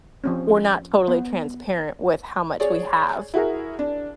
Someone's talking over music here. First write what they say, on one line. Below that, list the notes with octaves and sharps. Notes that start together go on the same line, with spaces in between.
we're not totally transparent with how much we have.
F3 C4 C#4
B3
G#4 C#5 D5
E4 F#4 G#4 A#4
D4